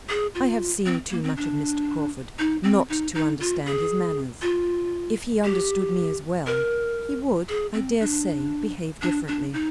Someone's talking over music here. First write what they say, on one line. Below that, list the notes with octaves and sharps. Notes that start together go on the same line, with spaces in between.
I have seen too much of Mr. Crawford not to understand his manners; if he understood me as well, he would, I dare say, behave differently.
G#4
F4
C4
A#3
C4
D4
D#4
C4
D#4
D#4
F4
G#4
F4
G4
A#4
G#4
C4
D4
D4
D4
D#4